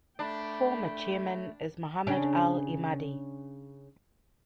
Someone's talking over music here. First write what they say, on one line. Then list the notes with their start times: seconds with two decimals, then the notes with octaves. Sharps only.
Former Chairman is Mohammed Al Emadi.
0.19 A3 D4 G5 B5
2.07 C#3 C#4 D4